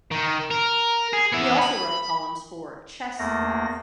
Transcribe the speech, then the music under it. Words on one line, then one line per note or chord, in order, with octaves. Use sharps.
He also wrote columns for "Chess Life".
D#3
A#4
G#4
B3 E4
B5
E2 A3 A#3 A#6